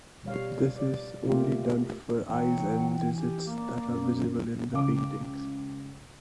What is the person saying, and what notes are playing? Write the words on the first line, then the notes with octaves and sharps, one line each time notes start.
This is only done for eyes and digits that are visible in the painting.
B2 G3 C#5 F5
D5
B2 A3 A#3 F4 G4
E3 F#3 F#5 G5
G4 G#5
A#3 D5 D6
F#2
C#2 F5 D6